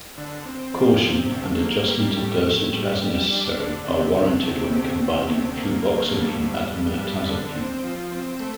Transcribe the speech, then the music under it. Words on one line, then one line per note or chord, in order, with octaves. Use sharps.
Caution and adjustment of dosage as necessary are warranted when combining fluvoxamine and mirtazapine.
D3
C4
F3
C3
D2
A#3
G3
A2
A2
G3
G3
D4
D3
C3
D2
C3
D2
C3
D2
A#3
D2
G2
G2
G2
G2
D3
C4
F3
C4
A3